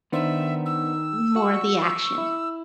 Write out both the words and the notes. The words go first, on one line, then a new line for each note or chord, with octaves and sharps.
more of the action.
D#3 B3 D4 C5 E5
E6
F#4 C#6
E4